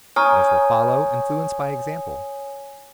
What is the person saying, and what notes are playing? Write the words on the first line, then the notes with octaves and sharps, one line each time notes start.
Others will follow, influenced by example.
C#5 G#5 A#5 C#6 D#6 F6